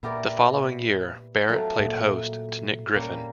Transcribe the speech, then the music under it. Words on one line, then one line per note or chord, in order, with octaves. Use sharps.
The following year Barrett played host to Nick Griffin.
A#2 B3 E4 G4 A#4 D5
F#3 A3 C4 F4 A4
A2
A#2
A#2 G3 A#3 C#4